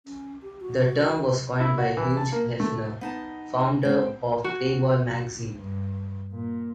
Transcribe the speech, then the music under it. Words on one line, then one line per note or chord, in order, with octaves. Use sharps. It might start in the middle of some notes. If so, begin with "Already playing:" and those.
The term was coined by Hugh Hefner, founder of "Playboy" magazine.
C#4
G4
F#4
E4
F#4
E3
A5
A#3
A3
B3 D#4 A5
G#2 C4
F#4
G2
A#2